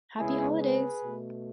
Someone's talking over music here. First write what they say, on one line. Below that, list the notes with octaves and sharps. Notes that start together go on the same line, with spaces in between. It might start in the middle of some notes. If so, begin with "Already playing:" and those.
Happy Holidays!
C#3 G#3 B3 E4 G#4
G#4 B4
B2 A3